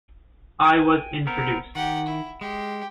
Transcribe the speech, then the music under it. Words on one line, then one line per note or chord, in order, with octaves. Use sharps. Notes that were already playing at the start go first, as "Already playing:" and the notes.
I was introduced.
G5 G#5
B3 C4 A#4
D#3 G4 F#5
E4
G#3 G4